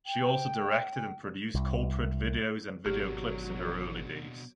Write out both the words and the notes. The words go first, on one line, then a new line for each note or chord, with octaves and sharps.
She also directed and produced corporate videos and video clips in her early days.
G5
C2
G#1 B2 F#3 D4 G4